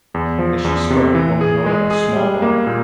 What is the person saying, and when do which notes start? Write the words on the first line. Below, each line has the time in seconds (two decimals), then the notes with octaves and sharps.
As she spoke the woman held up a small bottle.
0.14 E2
0.39 F3
0.65 E2
0.90 C3
1.15 E3
1.41 G#4
1.66 G#3
1.91 G#4
2.16 G3
2.42 A#3
2.67 A#2